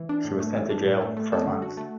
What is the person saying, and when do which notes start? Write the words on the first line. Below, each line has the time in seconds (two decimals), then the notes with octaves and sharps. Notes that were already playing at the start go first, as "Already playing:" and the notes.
She was sent to jail for a month.
Already playing: E3
0.09 D4
0.25 A2
0.40 A3
0.55 E3
0.70 D4
0.86 A2
1.01 A3
1.17 A3
1.32 A4
1.47 D3
1.62 F#4
1.77 A3